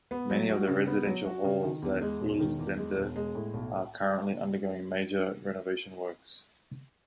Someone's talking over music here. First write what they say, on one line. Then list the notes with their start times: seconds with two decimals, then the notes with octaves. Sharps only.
Many of the residential halls at Uilenstede are currently undergoing major renovation works.
0.11 B3
0.30 F#3
0.49 F#4
0.68 C#3
0.87 B3
1.06 F#3
1.25 F#4
1.44 C#3
1.63 D#3
1.82 E2
2.01 G#3
2.20 E1
2.40 D#3
2.59 E2
2.77 G#3
2.97 E1
3.16 G#3
3.35 A2
3.54 B1